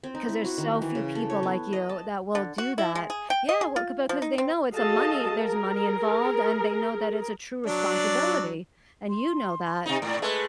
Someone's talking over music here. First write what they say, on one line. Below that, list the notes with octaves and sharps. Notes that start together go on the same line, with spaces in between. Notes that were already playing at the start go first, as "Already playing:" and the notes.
'Cause there's so few people like you, that will do that. Yeah well ‘c because they know it's a money there's money involved, and they know that it's a true responsibility, and you know that.
C4
D#4
E4
F#4
D#3
E3
C#3
A4
C#5
B3
D#5
A5
D3
F#4
E4
G#3
G#4
G5
D#5
G#4
F4
F3
D#4
C4
F#4 G#4 A4 D#5 F5 A5
G#4 A#4
F#3 D4 D5
C6
C3 D#4 D#5
G#2 D5
G#3 A3 B4